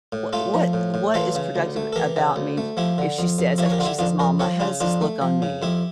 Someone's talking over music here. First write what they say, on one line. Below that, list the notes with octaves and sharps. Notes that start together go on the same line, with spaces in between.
wh what what is productive about me if she says if she says, "Mama, how does this look on me?"
A2
A3 F4 A4
F3
A2
A2
E3 F4 A4
C#3
D2
A3
A4
E3 G4 A#4
C#3
D2
A3
F3 E4 G4
D3
F2
F2
F3 E4 G4
C#5
G4 A#4
D3 F4
E4 G4
F2 D4 F4
F2 A#4 D5
F3 A4 C#5
C#3 D4 F4
F2 D4 F4
A3
F3
C#3
F2 E4 G4